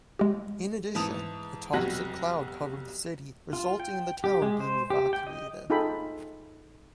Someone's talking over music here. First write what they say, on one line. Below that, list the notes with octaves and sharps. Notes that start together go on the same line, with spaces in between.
In addition, a toxic cloud covered the city resulting in the town being evacuated.
G#3 G4
G#2 E3 A5 D#6 F7
F1 B1 G3 F#4 F#6 A#6
F4
G5
G4
G#3
C5
G4
G5
D#5
D#4 F4 G#4 A4 G5 B5